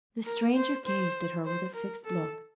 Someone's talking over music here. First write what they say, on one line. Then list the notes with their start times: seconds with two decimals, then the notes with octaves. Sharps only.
The stranger gazed at her with a fixed look.
0.25 A#4
0.56 C5
0.85 C5
1.45 C5
1.75 A#4
2.05 A4